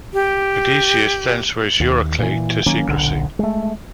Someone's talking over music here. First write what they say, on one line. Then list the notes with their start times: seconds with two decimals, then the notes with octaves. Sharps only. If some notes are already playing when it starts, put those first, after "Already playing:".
Odysseus then swears Eurycleia to secrecy.
0.14 G4
1.80 D#2
2.19 A#2 E3
2.66 D#3 F#3 A#3 C#4
2.88 D#1 B1 D3
3.39 G#3 A3